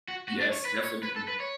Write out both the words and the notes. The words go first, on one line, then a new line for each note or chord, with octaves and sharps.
Yes, definitely.
F#4
F#4
D4
C#5
B4
C#5
B4
A4
B4
C#5